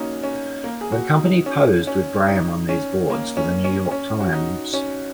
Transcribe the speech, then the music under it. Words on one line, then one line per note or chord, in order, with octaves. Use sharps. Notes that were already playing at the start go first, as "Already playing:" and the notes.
The company posed with Graham on these boards for the New York Times.
Already playing: A#3 C#4 D#4 F#4
C#4
A#3
G#4
F#4
D#4
C#4
C#4
D#4
C#4
A#3
C#4
C#4
C#4
F#4
D#4
C#4